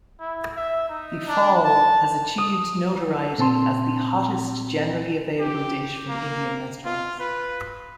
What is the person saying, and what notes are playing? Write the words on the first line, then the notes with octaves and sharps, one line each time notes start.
The phall has achieved notoriety as the hottest generally available dish from Indian restaurants.
E4
E5
D#4
D4
A5
D#6
A#2 C4 A5 C6
G4
A#3
F4
B4